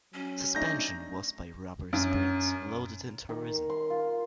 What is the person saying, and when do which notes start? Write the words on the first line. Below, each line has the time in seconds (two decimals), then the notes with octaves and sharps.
Suspension was by rubber springs loaded in torsion.
0.14 F#3 C#4
0.55 A3 D4 D#4 G6 A#6
1.93 F#2
3.29 D#3
3.70 C6
3.90 F4